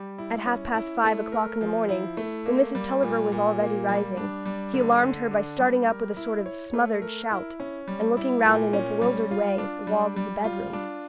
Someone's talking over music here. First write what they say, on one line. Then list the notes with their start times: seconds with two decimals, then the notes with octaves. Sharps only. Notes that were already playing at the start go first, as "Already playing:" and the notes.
At half-past five o'clock in the morning, when Mrs. Tulliver was already rising, he alarmed her by starting up with a sort of smothered shout, and looking round in a bewildered way at the walls of the bedroom.
Already playing: G3 G4
0.18 E4
0.46 C#4
0.74 E4
1.04 A3
1.32 A#4
1.61 F3
1.89 E4
2.17 A3
2.46 A#3
2.75 G3
3.03 A#2
3.32 A#2
3.60 A#3
3.89 G3
4.17 D4
4.46 G3
4.74 D3
5.03 D3
5.31 D4
5.59 G3
5.88 A#4
6.17 E4
6.46 C#5
6.74 A3
7.02 A#4
7.31 E4
7.60 C#4
7.88 G3
8.17 E4
8.45 A#2
8.73 C#4
9.02 G3
9.31 F4
9.58 D4
9.87 G3
10.16 G3
10.44 F4
10.73 D4